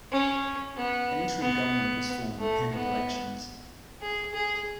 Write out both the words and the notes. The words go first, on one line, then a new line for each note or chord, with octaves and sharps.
An interim government was formed pending elections.
C#4
B3
B3
A3
B3
G#4
G#4